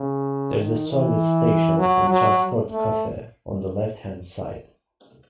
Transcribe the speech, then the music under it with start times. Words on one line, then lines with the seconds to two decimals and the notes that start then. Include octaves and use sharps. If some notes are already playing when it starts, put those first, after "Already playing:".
There is a service station and transport cafe on the left hand side.
Already playing: C#3
0.57 D#3
0.89 E3
1.79 F#3
2.10 F#3
2.70 A3